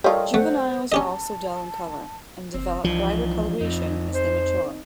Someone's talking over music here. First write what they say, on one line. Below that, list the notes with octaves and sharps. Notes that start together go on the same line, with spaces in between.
Juveniles are also dull in color and develop brighter coloration as they mature.
G3 F4 A4 A#4 C#5 D#5
A3 C5 F#5
C#4 G4 D#5 A5
F#1 C4
C2 E3 F3 D4 D#4
F2 C4 D#4
C5